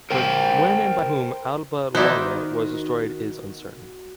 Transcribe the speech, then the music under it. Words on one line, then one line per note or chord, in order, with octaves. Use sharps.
But when and by whom Alba Longa was destroyed is uncertain.
A#4 C5 G5
D#3 B3 D#4 E4 F#4 C5 D5